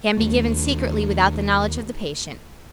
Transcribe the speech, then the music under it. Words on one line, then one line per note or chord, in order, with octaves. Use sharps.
Can be given Secretly without the knowledge of the patient.
D#2 A3